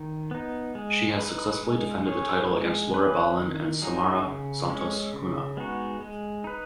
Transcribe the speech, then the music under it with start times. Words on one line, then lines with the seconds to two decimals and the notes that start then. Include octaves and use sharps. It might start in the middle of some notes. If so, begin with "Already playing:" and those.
She has successfully defended the title against Laura Balin and Samara Santos Cunha.
Already playing: D#3
0.31 B3 D#4
0.75 G#3
1.19 D#4 B4
1.63 G#3
2.06 C#4 G#4 C#5
2.51 G#3
2.94 C#4 B4
3.38 D#3
3.82 F#3 D#4 G#4
4.26 C#3
4.70 G#3 C#4
5.13 C#3
5.57 G#3 B3 D#4 F#4
6.01 G#3
6.44 D#4 B4